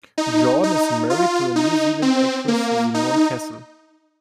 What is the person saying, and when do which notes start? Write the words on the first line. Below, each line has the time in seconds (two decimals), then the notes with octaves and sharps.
Jordan is married to a New Zealand actress Simone Kessell.
0.18 D#4
0.63 D#4
1.10 F4
1.56 D#4
2.02 C4
2.48 A#3
2.94 D#4